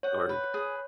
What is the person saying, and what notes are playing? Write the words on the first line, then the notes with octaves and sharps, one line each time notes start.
are g
C#5 F#5
B4
G#4